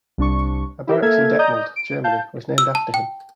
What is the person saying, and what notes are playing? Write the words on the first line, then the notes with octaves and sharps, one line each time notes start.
A barracks in Detmold, Germany was named after him.
C2 D4 C#6
E4 G4 A#4 E5
A#3 A4 E5 F6 G#6
D5 D#5 A#5 D#6 G6
D7
F5 A5 G6
E6
A5
G5